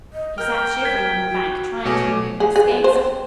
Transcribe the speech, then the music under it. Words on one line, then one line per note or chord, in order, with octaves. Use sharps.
She sat shivering on the bank trying to remove her skates.
D#5
A#4 G5 F6 G6
A#4 G#6 B6
F#4
B2 A3 C#5 G#5 D6
G#4
G#4
B3
C5
C4